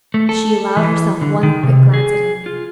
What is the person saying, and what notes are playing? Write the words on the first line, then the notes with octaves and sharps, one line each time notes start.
She allowed herself one quick glance at him.
A3
A4
E3
D3
D#3
C3
G#4
F4